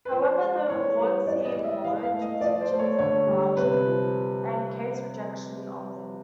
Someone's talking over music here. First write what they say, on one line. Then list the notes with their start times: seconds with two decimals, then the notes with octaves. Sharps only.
However, the rewards seem hollow due to G's lethargy and Kate's rejection of him.
0.05 B4
0.11 F3 C5
0.40 G#3
0.69 E3 C#5
0.98 G3
1.26 E3 D5
1.45 D#5
1.55 G#3
1.64 E5
1.83 E3 F5
2.03 F5
2.12 A3
2.22 D#5
2.41 F3 D5
2.61 C5
2.71 A3
2.79 C#5
2.99 D3 C#5
3.27 G3
3.57 C3 B4
3.85 F3